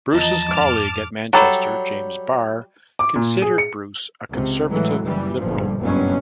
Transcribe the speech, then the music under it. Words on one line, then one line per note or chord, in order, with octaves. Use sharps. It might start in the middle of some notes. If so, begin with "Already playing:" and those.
Bruce's colleague at Manchester, James Barr, considered Bruce a conservative liberal.
E2 F3 D#5 A5 A#5
F2 G#2 D6 F6
F#3 G3 A4
D6
A#2
G#4
C#7
C#2 C3
A2 E3 F#3 G#3
F#1 E3 G3
G1 G2 A#2 F3
F#1 B1 G2 B2 F#3 C#4